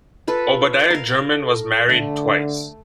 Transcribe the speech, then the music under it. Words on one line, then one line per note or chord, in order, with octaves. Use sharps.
Obadiah German was married twice.
F4 A4 B4
A#4 F5
A4
D3 A3